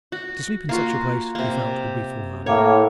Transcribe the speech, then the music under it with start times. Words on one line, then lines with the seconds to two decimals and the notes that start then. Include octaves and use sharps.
To sleep in such a place, he felt, would be foolhardy.
0.12 F#4
0.69 A#3 F4 F#4
1.35 C3 A#3
2.46 A2 A#3 C#5